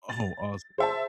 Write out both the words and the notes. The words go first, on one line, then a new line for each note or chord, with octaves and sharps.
Oh, awesome.
A6
G#4 C5 E5 A5